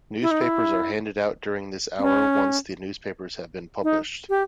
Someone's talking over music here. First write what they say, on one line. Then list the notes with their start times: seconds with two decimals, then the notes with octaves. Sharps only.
Newspapers are handed out during this hour once the newspapers have been published.
0.22 E4
0.31 D#4
0.41 E4
1.99 C4
2.03 C#4
3.84 D#4
4.29 G4